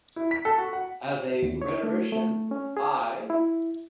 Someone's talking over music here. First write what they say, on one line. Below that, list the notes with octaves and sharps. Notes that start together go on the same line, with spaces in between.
As a rhetorician, I.
E4
B6
A4
F#4
F#5
D#2
C#5
A3
A3
C#4
G#4
E4